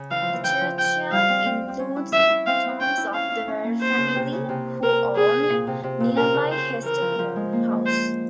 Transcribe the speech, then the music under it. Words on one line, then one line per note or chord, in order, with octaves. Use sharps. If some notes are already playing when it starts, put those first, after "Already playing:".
The churchyard includes tombs of the Warre family who owned nearby Hestercombe House.
Already playing: C#3
E3 F5
F3
E3
E3 G5
F3
G5
G3 F5
C4
C4
C4
C#4
E4
C#4 E5
E4
C4 F5
C4
C#4 G5
E4
C#4 F5
E4
C#4
A#3
C5
C#3
C3
C#3
C3
C3 A#4
G#4
A#2
C3
C3
A#2
C3 A#4
C#3
C5
E3 A#4
F3
F3
G#3
A#3
G#3
C5